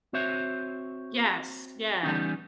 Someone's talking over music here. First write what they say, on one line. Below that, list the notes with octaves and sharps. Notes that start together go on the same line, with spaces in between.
Yes, yeah.
C4 F#4 C5 C#5 E5
E3 G3 A#3 B3 C#4 D#4